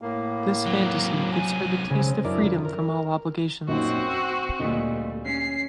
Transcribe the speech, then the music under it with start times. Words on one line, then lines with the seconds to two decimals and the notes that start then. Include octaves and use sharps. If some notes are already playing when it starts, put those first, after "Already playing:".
This fantasy gives her the taste of freedom from all obligations.
0.02 A2 A#3
0.66 C3 F#3
1.33 G#5
1.90 C#3 G#3 C4
2.25 F#2 D4 E4 A#4 D5
2.44 D3 F3
2.65 A#4
3.68 F#2 A#2 C4 D#4 F#4
4.08 E6
4.60 D2 A#2 G3 A3 D#5
5.26 C#4 C7